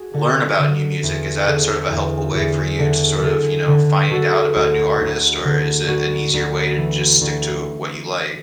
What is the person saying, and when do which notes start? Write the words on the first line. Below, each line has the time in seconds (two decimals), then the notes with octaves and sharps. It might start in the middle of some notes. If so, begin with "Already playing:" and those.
learn about new music, is that sort of a helpful way for you to sort of, you know, find out about new artists, or is it an easier way to just stick to what you like?
Already playing: F#4 G#4
0.14 D3
0.59 D3
1.03 E2
1.46 D3 G#4
1.90 E2
2.34 E2 G#4
2.79 D3
3.18 A4
3.23 D3 G#4
3.67 D3
4.11 D3 F#4 A4
4.56 D2
5.01 D2
5.44 D3
5.88 D2 F#4
6.34 D2
6.78 E3
7.21 D2